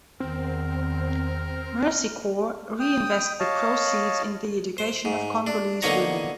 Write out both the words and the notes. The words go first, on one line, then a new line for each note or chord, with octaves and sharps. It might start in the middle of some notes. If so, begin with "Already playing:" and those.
Mercy Corps reinvests the proceeds in the education of Congolese women.
E2 D#3 C4 A#4
G5 D#6
C#5 D#5 F5 A5
C5
G#2
D4
D3 A#3 B3 D#4 C#5 A#5